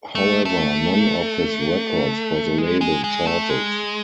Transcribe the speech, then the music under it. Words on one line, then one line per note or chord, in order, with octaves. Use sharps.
However, none of his records for the label charted.
A3
A3
G#3
G#3
G#3
A3
G#3